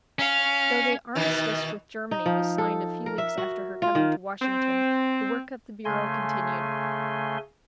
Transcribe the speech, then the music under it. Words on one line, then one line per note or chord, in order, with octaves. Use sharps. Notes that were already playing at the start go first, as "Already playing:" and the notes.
Though the armistice with Germany was signed a few weeks after her coming to Washington, the work of the bureau continued.
C#4 F5
B2 D#3 E3
D#4
F3
A4
A#4
E5
F#4
F4
D#3
C4
C#3 A3 G#5 C6